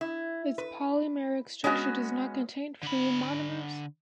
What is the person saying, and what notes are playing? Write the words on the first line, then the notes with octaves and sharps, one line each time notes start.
Its polymeric structure does not contain free monomers.
E4
B4
G#3 B3 C#4 F#4
D3 B5